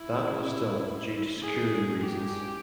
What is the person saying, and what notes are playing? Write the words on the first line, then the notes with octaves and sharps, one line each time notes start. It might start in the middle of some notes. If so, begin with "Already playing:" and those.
That was done due to security reasons.
Already playing: E4
G#4
G4